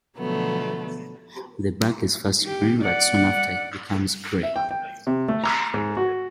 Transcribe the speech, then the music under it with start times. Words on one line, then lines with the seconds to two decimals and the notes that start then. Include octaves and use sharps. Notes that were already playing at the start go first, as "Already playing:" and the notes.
The bark is first green, but soon after it becomes gray.
0.18 B2 D3 F3 F#3 A3 B3
2.47 G4
2.83 D5 F#5
4.43 E5
4.56 G5
4.71 G5
5.07 C3
5.28 A3
5.44 A#5
5.74 G#2
5.97 F#4